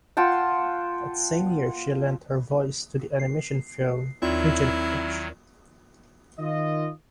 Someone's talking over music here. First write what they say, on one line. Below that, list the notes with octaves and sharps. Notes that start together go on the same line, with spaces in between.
That same year she lent her voice to the animation film "Agent Crush".
F4 F#5 G5 A5
C7
D#2 D#3 F#3 C4 E4 F4 D5
D#3 F4 D#5